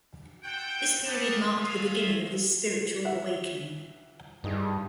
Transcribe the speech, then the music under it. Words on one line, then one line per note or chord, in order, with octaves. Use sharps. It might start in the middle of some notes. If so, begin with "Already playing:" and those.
This period marked the beginning of his spiritual awakening.
A4 C5 F#5 G5
G4 G#4 B4 F5 F#5 A5
F4 F#4 G#4 E5 F5
E5 F#5
G2 D#4 G#4